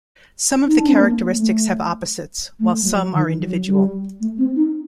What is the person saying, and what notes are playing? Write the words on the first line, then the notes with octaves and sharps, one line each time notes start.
Some of the characteristics have opposites, while some are individual.
D#4
D4
C4
A#3
A#3
A3
A3
G3
F#3
D#3
F#3
G3
A3
C4
D#4